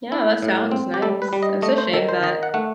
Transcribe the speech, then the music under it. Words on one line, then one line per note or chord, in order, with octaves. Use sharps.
Yeah, that sounds nice. It's a shame that
E4
A2
C4
G4
G3 A4
B4
G3
D#5
A3 D#5
C5
D#3 A4
C5
D#3 D#5
F#5
A3 F#5